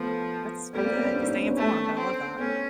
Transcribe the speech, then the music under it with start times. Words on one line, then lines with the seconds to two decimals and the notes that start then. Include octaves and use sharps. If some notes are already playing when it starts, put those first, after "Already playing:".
That's good, to stay informed, I love that.
Already playing: F3 A3 B3
0.74 G3 A3 B3
0.84 A#3 C4
0.94 B3 C#4
1.05 A#3 C4
1.15 C4 D4
1.25 C#4 D#4
1.35 C4 D4
1.46 B3 C#4
1.57 A3
1.97 C4
2.38 A3 B3 C#4